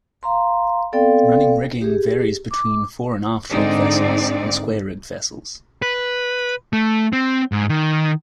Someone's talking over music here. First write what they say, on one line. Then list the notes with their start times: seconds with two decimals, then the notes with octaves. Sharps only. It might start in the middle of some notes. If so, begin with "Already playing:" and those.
Running rigging varies between "fore-and-aft rigged" vessels and "square-rigged" vessels.
0.23 F5 A#5 C6
0.92 B3 C4 A4 D5 F5 G5
1.81 G4 G#4
2.51 D6
3.49 G#2 D3 C4 D4 D#4 D5
5.82 B4
6.73 A3
7.13 C4
7.52 G#2
7.69 D#3